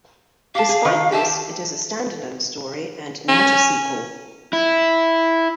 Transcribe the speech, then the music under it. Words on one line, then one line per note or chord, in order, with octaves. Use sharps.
Despite this, it is a standalone story and not a sequel.
G4 F5 A5
G#4
D#3
G4 E5 A5
C#4
E4